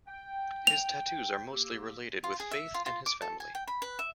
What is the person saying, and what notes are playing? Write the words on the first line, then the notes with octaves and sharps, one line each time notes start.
His tattoos are mostly related with faith and his family.
G5
F7
A#3 G4 E6
F4
G#4
E5
F4
F4
D6
A4
G#5
G5
B5
B4
E5